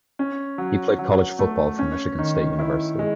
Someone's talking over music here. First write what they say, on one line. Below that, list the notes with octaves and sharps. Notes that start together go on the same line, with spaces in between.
He played college football for Michigan State University.
C#4
F#3
F#3
A3
C#4
D#3
E4
G#3